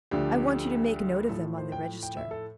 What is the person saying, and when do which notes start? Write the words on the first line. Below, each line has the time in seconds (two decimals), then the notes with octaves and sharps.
I want you to make a note of them on the register.
0.11 D2 D3 F3 A3 G4
1.29 A2 F3 A3 A4
1.58 C5
1.72 G5
2.03 G5
2.17 E5
2.31 A4